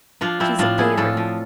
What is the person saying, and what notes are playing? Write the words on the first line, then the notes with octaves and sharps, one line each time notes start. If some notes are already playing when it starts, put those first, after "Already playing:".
She's a fairy.
F3 D4 F4
F3 C4 E4
A2 D4 F4
F3 E4 G#4
A2 F4 A4
F3